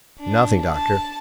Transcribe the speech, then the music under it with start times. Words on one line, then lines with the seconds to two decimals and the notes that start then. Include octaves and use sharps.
"Nothing, Doctor."
0.20 D4
0.75 A5